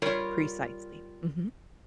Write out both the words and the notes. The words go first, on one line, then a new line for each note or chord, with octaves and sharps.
Precisely, mhm.
G3 F4 A#4 C#5